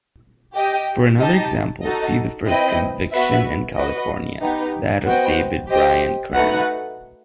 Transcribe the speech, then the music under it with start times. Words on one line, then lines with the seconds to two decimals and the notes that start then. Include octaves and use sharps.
For another example, see the first conviction in California, that of David Brian Kern.
0.53 G4 D#5 G5
1.18 D#4 G4 D#5 A5
1.82 D#4 F#4 A4 D#5
2.47 C4 E4 B4 D#5 G5
3.11 B3 F#4 B4 E5
3.76 F#4 B4 D#5
4.40 B3 D#4 G4
5.05 B3 F#4 C5 D#5 G5
5.70 G4 C5 D#5 G5
6.33 A3 D#4 F#4 B4 F#5